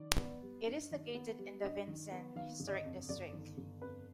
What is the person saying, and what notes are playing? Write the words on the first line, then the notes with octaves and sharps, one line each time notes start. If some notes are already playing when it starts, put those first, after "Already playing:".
It is located in the Vincennes Historic District.
Already playing: D#3 D5
B3
G3
G2
D#3
B3
G3
G2 D#5
D#3
B3
D#3 F5
G1
D5
D#5
F2
G1 D5
D#3
G1
F2 B4